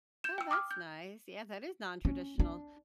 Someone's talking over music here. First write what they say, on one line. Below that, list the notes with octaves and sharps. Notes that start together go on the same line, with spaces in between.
Oh, that's nice. Yeah, that is nontraditional,
G6 E7
G5 E6
D6 D#6 F6
G6
C#4
D4